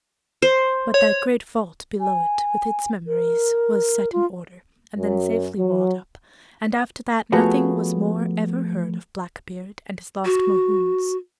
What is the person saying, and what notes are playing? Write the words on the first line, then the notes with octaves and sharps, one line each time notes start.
But that great vault below it, with its memories, was set in order, and then safely walled up, and after that nothing was more ever heard of Blackbeard and his lost Mohunes.
C5
C#5
G#5
A#4
F4
F#2
F#3
F3 A3 B3 F#4 G#4 C#5
F#4